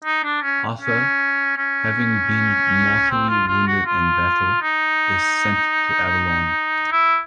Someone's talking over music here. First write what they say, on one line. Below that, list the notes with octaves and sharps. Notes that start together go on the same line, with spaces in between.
Arthur, having been mortally wounded in battle, is sent to Avalon.
D#4
D4
C#4
C#4
C#4
C4
F4
F4
F#4
F4
D#4
E4